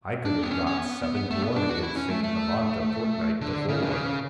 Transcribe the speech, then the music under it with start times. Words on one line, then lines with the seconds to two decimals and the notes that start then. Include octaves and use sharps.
I could have got seven to one against Saint Amant a fortnight before.
0.25 D4
0.42 B3
0.51 C#4
0.66 C#4
0.77 B3
1.03 B3
1.31 A3
1.43 B3
1.56 D4
1.70 F#4
1.83 E4
1.96 C#4
2.10 A3
2.23 A3
3.41 D3
3.68 C#3
3.83 D3
3.95 C#3